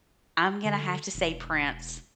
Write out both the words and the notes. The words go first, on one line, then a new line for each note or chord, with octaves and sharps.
I'm gonna have to say Prince.
D3
E1